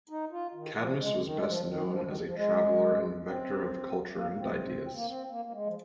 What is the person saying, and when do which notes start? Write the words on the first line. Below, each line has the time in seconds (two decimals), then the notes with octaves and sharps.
Cadmus was best known as a traveller and vector of culture and ideas.
0.09 D#4
0.32 F4
0.54 D#3
0.78 F3
1.00 G#3
1.22 D#3
1.36 G#3
1.45 F3
1.67 D#3
1.86 G#3
1.90 F3
2.05 D#3
2.26 F3
2.36 G#3
3.26 C4
4.16 A#3
4.31 A#3
4.38 C4
4.95 A#3
5.07 C4
5.29 A#3
5.45 A#3
5.52 G#3
5.66 F3